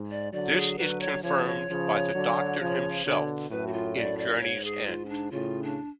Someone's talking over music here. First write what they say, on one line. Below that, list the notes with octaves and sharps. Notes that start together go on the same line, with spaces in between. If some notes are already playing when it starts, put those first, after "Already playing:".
This is confirmed by The Doctor himself in "Journey's End".
Already playing: G#2
D5
D3 F#3 D5
G#4
D3 F#3 B4
C#5
C#3 F3 C#5
C#5
C#3 F3
D3 F#3
C#3 F3
B2 D3
F#2 A2 B4
F#4
F4
D5
D5
G#2 C#5
G#4
F4
C#4
D4
A2 C#3 F4
D4